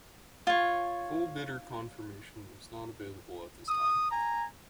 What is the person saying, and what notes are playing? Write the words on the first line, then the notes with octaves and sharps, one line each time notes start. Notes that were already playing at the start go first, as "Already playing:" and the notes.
Full bidder confirmation was not available at this time.
F4 C#5
D#6
G#5 A#5